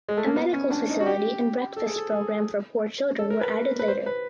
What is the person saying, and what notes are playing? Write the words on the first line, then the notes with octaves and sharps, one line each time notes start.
A medical facility and breakfast program for poor children were added later.
G#3
A3
A#3
B3
C#4
D4
D#4
F#4
G4
A4
G#4
A4
G#4
A4
A#4
B4
B4
C5
B4